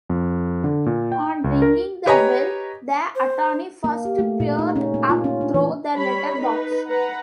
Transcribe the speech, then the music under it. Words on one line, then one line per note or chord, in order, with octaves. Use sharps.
On ringing the bell, the attorney first peered up through the letter-box.
F2
D3
A#2
G5
C#2
A#4
G4 B4 C#5 D#5 G#5 A#5
C5
A#3
G4
A3
A#2
D#4
C#4
A#3
F4
C#4
D4
E3
G3 C#5 B5
D#4 B4
B4 F#5 A#5